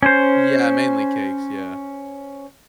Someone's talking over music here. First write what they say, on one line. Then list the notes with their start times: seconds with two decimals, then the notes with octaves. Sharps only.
Yeah, mainly cakes, yeah.
0.03 C#4 C5